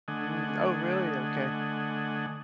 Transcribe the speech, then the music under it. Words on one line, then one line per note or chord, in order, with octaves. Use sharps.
Mm, oh, really, okay.
D3 A3 D#5 F#5 G#5